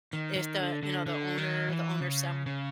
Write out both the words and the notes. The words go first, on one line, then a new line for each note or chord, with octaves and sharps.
If the, you know, the owner the owner's son
D#3
D#3
D3
D3
D3
D#3
E3
C#3
C#3